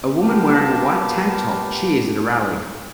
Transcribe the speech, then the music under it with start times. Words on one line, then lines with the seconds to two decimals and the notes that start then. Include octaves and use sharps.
A woman wearing a white tank top cheers at a rally.
0.16 A#3 B3 F4 G4 F5 A5